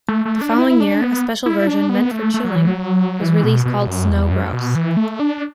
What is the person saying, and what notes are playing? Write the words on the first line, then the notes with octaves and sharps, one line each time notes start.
The following year a special version, meant for chilling, was released called Snow Grouse.
A3
A3
D4
E4
D4
B3
E4
D4
B3
A3
A3
F#3
E3
F#3
E3
B2
B2
F#2
E2
F#2
B2
E3
A3
D4